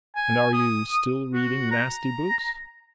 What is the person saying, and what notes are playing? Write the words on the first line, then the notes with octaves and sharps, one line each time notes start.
"And are you still reading nasty books?"
G#5
D#6
F#4
A#5